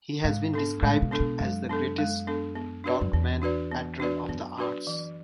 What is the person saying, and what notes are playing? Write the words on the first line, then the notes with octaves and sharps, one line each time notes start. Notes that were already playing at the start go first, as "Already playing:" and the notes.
He has been described as the greatest Turkmen patron of the arts.
G#2 G#3
B3 D4 A4
A2 G#3
B2
B3 D4 A4
B2
F#2 G#3
B3 D4 A4
G#3
B3 D4 A4
B3
D4 F#4 B4 D5
F#2
E2 B3
D4 F#4 B4 D5
B3
D4 F#4 B4 D5
F#2 B3
D4 F#4 B4 D5
E3